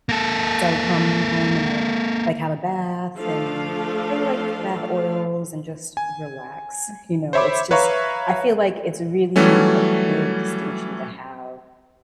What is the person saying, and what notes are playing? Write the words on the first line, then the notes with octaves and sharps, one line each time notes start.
So, I would come home and I would ha like, have a bath and maybe, like, bath oils and just relax, you know? It's just I feel like it's really a good distinction to have
A#3 A4
F3 A3 D4 A4 F5
G#5
C5 C#5 E5 B5 D6
B4 C#5 E5 F5 A#5 C#6
E3 F#3 G3 A3 C#4